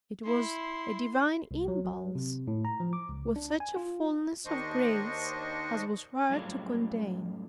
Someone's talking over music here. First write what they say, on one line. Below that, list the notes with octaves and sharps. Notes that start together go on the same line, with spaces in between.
It was a divine impulse, with such a fulness of grace as was hard to contain.
E4 C6
C2
F#3
F#3
C3
A2
A#5
F3
D6
C#2
D4
G#5
F4
D#2 D#3 D4 C5 D#5 C#6
F#2 A2 G3 F4 G#4 C#5